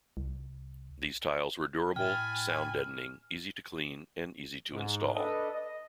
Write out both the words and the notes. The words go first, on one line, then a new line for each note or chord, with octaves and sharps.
These tiles were durable, sound-deadening, easy to clean and easy to install.
C2
A2 G5 G#5 B5 F6 A6
G#2
D4 A4 B4 D#5
D#5